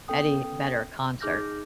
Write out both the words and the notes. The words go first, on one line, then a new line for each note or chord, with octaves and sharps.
Eddie Vedder concert.
B3 C#4 A4 G5 D#6
D#4 G#4 D6 F6 G6 A#6